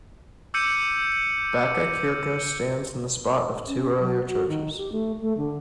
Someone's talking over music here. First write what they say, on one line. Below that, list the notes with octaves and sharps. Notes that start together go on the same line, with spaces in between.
Backa Kyrka stands in the spot of two earlier churches.
D6 E6 G6 C#7 D#7
C#4
F#3
F#4
D#3
G4
A3
A3
D3